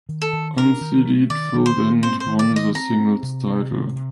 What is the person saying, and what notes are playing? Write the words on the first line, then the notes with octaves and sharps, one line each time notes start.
Unseeded Phil Dent won the singles title.
D#3
A4
D#3
D4 A#4
D#3
A3
D#3 D5
D#3
C5
D#3
C4 C5
C5
D#3
D5
D#3
D#5
C4 A#5
C4
C3
C4
C3
C3